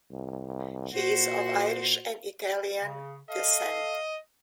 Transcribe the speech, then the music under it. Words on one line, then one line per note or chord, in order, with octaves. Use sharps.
He is of Irish and Italian descent.
C2
A#2 F#4 C5
C#3
A4 D#5 F5